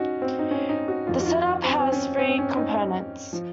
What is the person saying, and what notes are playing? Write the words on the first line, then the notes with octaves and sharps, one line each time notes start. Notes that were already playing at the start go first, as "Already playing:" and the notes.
The setup has three components.
Already playing: G#2 C#4 D#4 F#4
C4
D#4
C#4
D#4
F#4
F2 D#3 F4
F#4
F4
C4
C4
C#4
C4
C4
C#4
D#4
F3